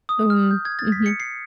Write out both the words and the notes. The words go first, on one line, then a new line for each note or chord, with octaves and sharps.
Mm, mhm.
D#6
F6
G6
G#6
A6
B6
C#7
C7